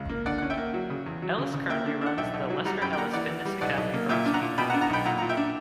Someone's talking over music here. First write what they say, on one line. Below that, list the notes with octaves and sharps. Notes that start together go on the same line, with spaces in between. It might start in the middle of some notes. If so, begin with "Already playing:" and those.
Ellis currently runs the Lester Ellis Fitness Academy from his home.
Already playing: C#2
A#3
D3 D5 F#5
C#4 F#5
E5 G5
A#3
F#3
C#3
E2
F#3
C#3
C#3
A#3 E5 G5
D4
D4 F#5
B1 E5 G5
B1
F#3
G3 F#5 A#5
F#2 G5 B5
G5
A#3 F#5 A#5
E3 D5 F#5
E3
G3
B1 D5 F#5
B1
A#3
A#2 E5 G5
D4
F#5 A#5
A#2
B2 G5 B5
F#5 A#5
D4
F#5 A#5
B1 G5 B5
A#2 F#5 A#5
A#2 A#5
E5 G5
D4